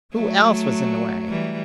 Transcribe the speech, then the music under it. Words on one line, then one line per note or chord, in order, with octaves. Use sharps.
Who else was in the way?
F#3 A3
E3 G3